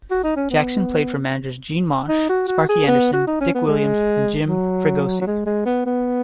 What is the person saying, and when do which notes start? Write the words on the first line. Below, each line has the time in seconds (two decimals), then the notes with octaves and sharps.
Jackson played for managers Gene Mauch, Sparky Anderson, Dick Williams and Jim Fregosi.
0.11 F#4
0.24 D#4
0.36 C#4
0.50 B3
2.09 D#4
2.29 F#4
2.48 F#4
2.69 G#4
2.88 B3
3.13 F#4
3.27 D#4
3.41 C#4
3.55 B3
3.68 G#3
4.47 F#3
5.21 F#3
5.27 G#3
5.46 G#3
5.66 B3
5.86 B3